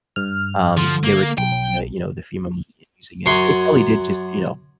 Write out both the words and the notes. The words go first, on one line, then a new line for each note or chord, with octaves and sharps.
that, um, they were taking the, you know the FEMA money and using it they probably did just, you know
G2 F6
D3 F3
A#3
B1 G5
F#3
F#2 C#5 C6